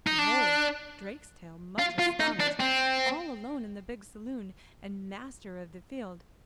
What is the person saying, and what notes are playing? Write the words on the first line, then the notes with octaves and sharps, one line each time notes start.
Behold Drakestail much astonished, all alone in the big saloon and master of the field.
D#4
D4
F4
F4
D#4
D4
C4